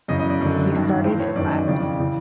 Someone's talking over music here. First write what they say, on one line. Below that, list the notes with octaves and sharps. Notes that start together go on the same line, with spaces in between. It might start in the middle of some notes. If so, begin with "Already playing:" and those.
He started, and laughed.
F#2 C#3 E3 D#5
D#5
D5
F#2 D3
G2 D#3
A2 E3 C5
C#5
F#2 D#3 D5
D#5
F2 C#3 E3 D5
C#3 E3